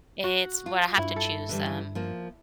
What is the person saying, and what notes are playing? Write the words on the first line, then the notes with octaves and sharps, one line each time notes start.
it's well, I have to choose, um,
F#4
F4
G2 E4
A4
D3 E3 G3
F3 A#3